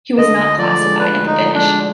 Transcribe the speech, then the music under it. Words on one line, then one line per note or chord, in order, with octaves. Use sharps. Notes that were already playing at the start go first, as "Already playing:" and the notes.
He was not classified at the finish.
D3 D#5
D2
F3 D5
G#3
D3 B4
D2
D#4
F3
D4
G#3